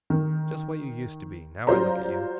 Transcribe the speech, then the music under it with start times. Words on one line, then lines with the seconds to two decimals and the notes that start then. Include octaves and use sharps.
Just what you used to be, now I look at you!
0.10 D#3
1.67 F#3 G3 F4 C5 D5 A#5